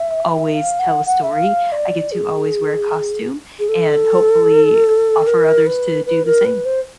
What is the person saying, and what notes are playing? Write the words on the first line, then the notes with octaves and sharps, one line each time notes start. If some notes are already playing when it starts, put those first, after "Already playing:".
always tell a story, I get to always wear a costume and hopefully, offer others to do the same.
Already playing: E5
F5
F#5
F#5
E5
F5
D5
G#4
G#4
A4
A#4
B4
B4
A#4
B4
C5